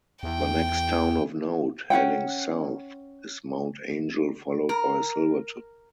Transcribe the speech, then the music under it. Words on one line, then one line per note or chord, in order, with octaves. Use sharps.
The next town of note heading south is Mount Angel, followed by Silverton.
E2 G5
C#4 F4 F#5 G5
A#4